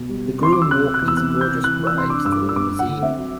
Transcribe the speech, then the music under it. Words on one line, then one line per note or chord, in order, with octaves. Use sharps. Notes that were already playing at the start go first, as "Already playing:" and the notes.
The groom walked his gorgeous bride to the limousine.
Already playing: B2
G3
C3
C4 C6
F#3 D6
E6
C3 F#6
C3
F#6
E2
E6
C3 F#6
E3
G6
C3
E3 F#6
E3
E6
C3 C6
D4 D6
G2 E6
D6
G3
E6
G2 D6
G2
F#5
D3
C4 E5
F#3